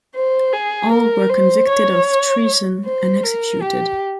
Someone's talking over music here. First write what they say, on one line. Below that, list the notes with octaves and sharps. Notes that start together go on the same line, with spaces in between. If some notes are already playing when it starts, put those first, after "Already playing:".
All were convicted of treason and executed.
C5
G#4
A#4
C5
C#5
C5
A#4
G4